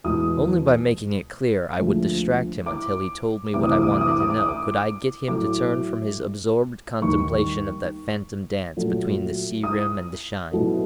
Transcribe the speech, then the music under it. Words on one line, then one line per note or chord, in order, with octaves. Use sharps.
Only by making it clear I would distract him until he told me what I wanted to know could I get him to turn from his absorbed contemplation of that phantom dance between the sea rim and the shine.
E2 B2 G#3 D#6
D2 D3 F3 G#3
D6
D2 C3 E3 D6
D#6
D6
D#6
D6
D#6
D6
D#6
D6
D#6
D6
A2 F#3 A3 D6
D#2 D#3 G3 C#6
A#2 F#3 A3
D#6
C2 B2 F#3 A3